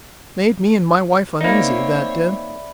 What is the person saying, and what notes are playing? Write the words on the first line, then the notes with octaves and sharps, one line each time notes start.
Made me and my wife uneasy, that did.
A#3 C4 D#4 C#5 D5 E5 B5